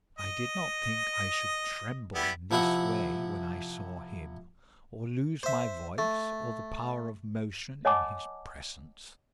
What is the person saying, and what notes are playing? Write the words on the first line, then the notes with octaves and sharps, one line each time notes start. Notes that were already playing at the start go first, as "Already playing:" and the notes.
I did not think I should tremble in this way when I saw him, or lose my voice or the power of motion in his presence.
D#5
G3 B3 E4
C3 F3 E4 E5 F#5
C5 E5
A3
C#5 D#5 F#5 G#5 A5 D6